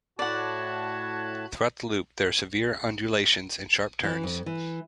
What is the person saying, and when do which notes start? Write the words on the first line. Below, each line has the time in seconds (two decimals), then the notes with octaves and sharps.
Throughout the loop there are severe undulations and sharp turns.
0.19 A2 F#4 D5 F#5 A5 B5 F#6 G#6
4.04 E3
4.23 F2
4.46 E3